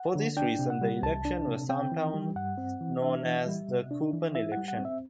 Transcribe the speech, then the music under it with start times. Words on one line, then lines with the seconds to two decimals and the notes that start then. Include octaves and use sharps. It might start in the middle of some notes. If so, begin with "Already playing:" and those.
For this reason the election was sometimes known as the coupon election.
Already playing: F#5
0.15 D3
0.37 D4 G5
0.59 C3
0.70 F#5
0.81 G3
1.03 C2 A5
1.25 D4
1.48 C3
1.69 C4 G5
1.92 E3
2.14 G3
2.36 G2 F#5
2.58 C4
2.81 E3
3.02 D4 E5
3.24 E3
3.46 G3
3.69 C3
3.91 D4
4.13 E3
4.35 E4 E5
4.52 F#5
4.57 G3
4.68 F#5
4.79 C4
4.85 E5